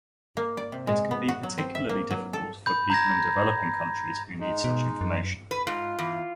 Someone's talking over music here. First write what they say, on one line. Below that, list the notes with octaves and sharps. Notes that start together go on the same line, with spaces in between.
It can be particularly difficult for people in developing countries who need such information.
A#3
D5
C3
G#3
B3
F#4
F#3
C4
E5
A#3
F#3
A4
B5 G6
A#5 G6 G#6 A#6
G#3 D#4
B2
F#2
B4
G#2 F4
E2